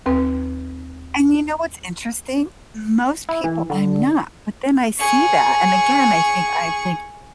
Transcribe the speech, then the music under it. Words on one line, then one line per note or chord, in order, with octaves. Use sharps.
And you know what's interesting? Most people I'm not, but then I see that, and, again, I think I think,
D#2 C4 B4
E4
E3
D3
G#4 C#6